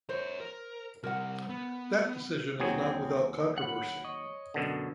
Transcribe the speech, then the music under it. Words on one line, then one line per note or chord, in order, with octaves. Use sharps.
That decision is not without controversy.
A#4 C5 C#5
A#4
C3 G3 A#4 F#5
B3
D#2 F#3 C4 G#4
F#5 B5
C#5 D#5
F#2 B2 D3